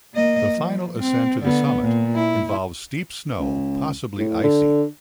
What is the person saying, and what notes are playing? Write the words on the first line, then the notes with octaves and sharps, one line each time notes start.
The final ascent to the summit involves steep snow, possibly icy.
A#3 D#5
F3
C4
D3 B3
A#2
E4
C#2
A2
D3